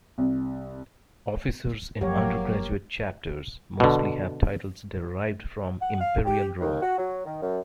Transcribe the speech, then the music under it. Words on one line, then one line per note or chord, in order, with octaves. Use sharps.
Officers in undergraduate chapters mostly have titles derived from Imperial Rome.
C2
F#1 F3 F#3 A#3 G4 C#5 G5
B2 D3
F#5
F5
G4
D#2
F#4
F#3
D#3
F#2